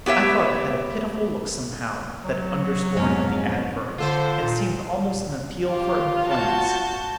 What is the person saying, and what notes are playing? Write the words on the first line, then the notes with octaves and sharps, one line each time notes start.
I thought it had a pitiful look somehow, that underscoring of the adverb, and seemed almost an appeal for employment.
B3 G4 C#5 E5
F#3
F2 G#2 C#4
D3 F4 A4 C5
A#2
F4 G4
F#4 A5 G6